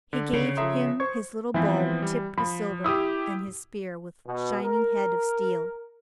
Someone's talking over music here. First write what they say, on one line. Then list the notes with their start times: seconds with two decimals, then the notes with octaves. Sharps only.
He gave him his little bow tipped with silver, and his spear with shining head of steel.
0.13 D3
0.33 C#3
0.57 F3 A4 E5 A#5 C6 D#6
1.00 C5 C#6 G#6
1.54 E3 F3 B3 C4
2.02 G3
2.38 F3 B5
2.84 E4 G4 D#6 E6
4.27 B2
4.62 A#4